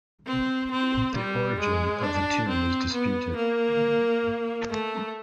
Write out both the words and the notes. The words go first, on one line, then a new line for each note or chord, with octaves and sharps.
The origin of the tune is disputed.
C4
C4
G3
G#3
D4
C4
B3
A#3
A3